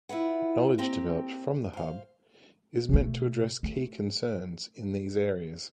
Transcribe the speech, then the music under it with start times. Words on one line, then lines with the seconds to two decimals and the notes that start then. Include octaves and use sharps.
Knowledge developed from the Hub is meant to address key concerns in these areas.
0.09 E4 F4 B4 F#5
0.78 A#3 C4 G4
1.73 C5 F5
2.89 B2 A3
3.63 A3